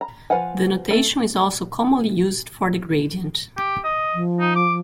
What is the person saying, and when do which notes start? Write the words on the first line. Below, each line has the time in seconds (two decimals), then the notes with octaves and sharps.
The notation is also commonly used for the gradient.
0.01 A#5
0.30 F3 B4 F5 F#5 G#5
0.91 A3
3.57 G4
3.84 D#5
4.14 F3
4.40 D#4
4.56 D6